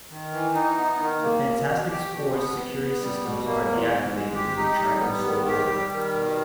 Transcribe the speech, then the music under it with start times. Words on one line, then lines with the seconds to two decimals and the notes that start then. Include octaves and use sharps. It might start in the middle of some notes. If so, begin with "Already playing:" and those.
The Fantastic Four's security systems are deactivated and they try to restore order.
0.10 D#3
0.32 E3
0.55 D#4
0.77 B3
0.99 D#3
1.22 A#3
1.43 B2
1.66 B2
1.89 G4
2.10 B2
2.33 B3
2.56 B3
2.79 B3
3.00 G3
3.23 B2
3.45 A#3
3.68 E2
3.89 G#2
4.12 G#3
4.34 G4
4.57 D#4
4.79 G3
5.01 B3
5.24 D#3
5.46 G4
5.68 G3
5.91 D#3
6.13 B2